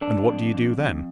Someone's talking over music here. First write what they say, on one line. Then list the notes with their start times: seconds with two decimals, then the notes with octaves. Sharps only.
"And what do you do then?"
0.01 D3 D4
0.28 F2
0.54 F2
0.78 F2